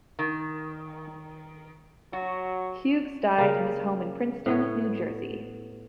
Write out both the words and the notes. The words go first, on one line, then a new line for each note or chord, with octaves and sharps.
Hughes died in his home in Princeton, New Jersey.
D#3
F#3 F#4
C#3 A#3
A2 B3 C#5